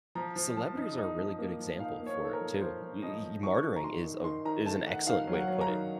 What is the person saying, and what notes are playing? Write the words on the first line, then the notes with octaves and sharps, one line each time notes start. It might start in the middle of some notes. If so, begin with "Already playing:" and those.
Celebrities are a really good example for it too. We e e martyring is a is an excellent way to put it.
F3 A#5
F3
F3 A5
D#4
D#4
F3
A#3
F3
D#4 F5
A#3
C#5
D#4 A4
A#4
F3
F3 C5
F3
F3 D#5
F3
D#3 C#6
D#3
A#5
D#3 C6
D#3
D#3 C6
D#3 A#5
A3 A5
D#3 F#5
D#3 F5
F#3
F#5
F#3
A#5
D#3